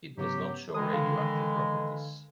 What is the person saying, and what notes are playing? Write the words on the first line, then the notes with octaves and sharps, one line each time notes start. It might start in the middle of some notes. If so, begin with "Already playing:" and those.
It does not show radioactive properties.
G#2 C#3 F#3 B3 G4
D#3 E3 G#3 G#5 D#6
D3 A4 F5